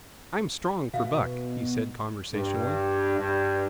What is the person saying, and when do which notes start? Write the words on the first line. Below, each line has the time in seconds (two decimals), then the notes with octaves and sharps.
"I'm strong for Buck," he said conversationally.
0.94 B2 E5 F5
2.33 G2
3.18 G2